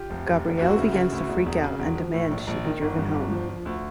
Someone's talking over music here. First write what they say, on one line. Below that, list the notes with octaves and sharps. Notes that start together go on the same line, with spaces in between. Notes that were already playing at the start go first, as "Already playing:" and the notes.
Gabrielle begins to freak out and demands she be driven home.
Already playing: F4 G4
F1
F1
F1
D2 E4 F#4
C#3
C#3
D2
E1
E1
C#3
E1
F3
A2
A#1
A#1
D#3
G1
G2
G1
F3
F3
D2